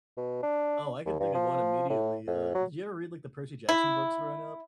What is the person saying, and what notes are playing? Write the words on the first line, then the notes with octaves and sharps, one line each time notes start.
Oh, I can think of one immediately. Uh, did you ever read, like, the Percy Jackson books growing up?
B2
D4
D#2
G2
F3
A2
F2
F#3
E4